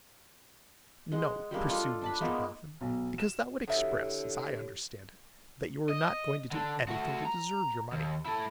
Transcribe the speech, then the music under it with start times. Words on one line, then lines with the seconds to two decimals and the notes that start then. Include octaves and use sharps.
'No,' pursued Mr Boffin; 'because that would express, as I understand it, that you were not going to do anything to deserve your money.
1.12 G#3 F#5
1.51 G3 G#3 A#3 D4
1.70 F4 A4
2.02 D4 A5 B5
2.20 G#3 A#3 B3 D#4
2.81 B1
3.18 E7
3.68 B2 D3 E4 G4 C#5 E5
5.89 D#5
6.52 D3 D4
6.88 A3 F#4
7.25 A#5
7.92 D#2
8.26 E4 A4